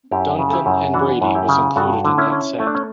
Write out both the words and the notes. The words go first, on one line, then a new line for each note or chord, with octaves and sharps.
"Duncan and Brady" was included in that set.
F#2 E4 G4
C#3
A4
E4 G4
F#2
E3 D4 F#4
F#2
E4 G4
C#3
G2 F#4 A4
D3
C#4 E4
C#4
A3 E4
D4
C#4